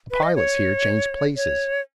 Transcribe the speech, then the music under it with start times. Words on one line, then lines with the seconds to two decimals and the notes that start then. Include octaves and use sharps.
The pilots here changed places.
0.11 B4
0.23 D#5
0.35 C#5
1.36 C#5